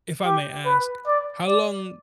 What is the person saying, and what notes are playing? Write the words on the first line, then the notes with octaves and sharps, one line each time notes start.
if I may ask, how long
G4
B4
D5
D5